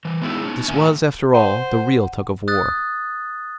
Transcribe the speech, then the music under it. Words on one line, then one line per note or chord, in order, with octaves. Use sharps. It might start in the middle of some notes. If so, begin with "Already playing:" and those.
This was, after all, the real tug of war.
E3 C5
G#3 B3 D#4 E4 G#4
C#4 D#4
A2 D#3 A#3 E5 G#5
C5 F#5
D#6 F#6 A6